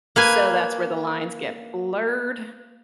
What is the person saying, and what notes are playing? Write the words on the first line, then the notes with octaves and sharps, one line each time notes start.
so that's where the lines get blurred.
A#3 B4 G#5